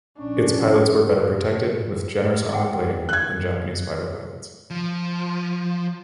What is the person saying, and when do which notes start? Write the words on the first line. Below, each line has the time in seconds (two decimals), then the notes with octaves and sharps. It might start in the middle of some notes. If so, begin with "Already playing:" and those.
Its pilots were better protected, with generous armour plating, than Japanese fighter pilots.
0.18 A#1 A#2 C#4 D4
2.53 G#4 F#5 G5
3.09 F#6 G#6
4.71 F3